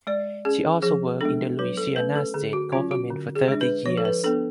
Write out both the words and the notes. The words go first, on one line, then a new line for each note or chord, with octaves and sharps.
She also worked in the Louisiana state government for thirty years.
G#3 D5
C#4 G#4
F3 G#4
G#3 B3 D4 A4
F#3 B4
A4
A3 C#4 B4
A4
D3 G#4
F#4
F#3 C#4 F4
F#4
D3
G#4
G#3 D4
B4
F3 C#5
A4
B4
B3 D4 A4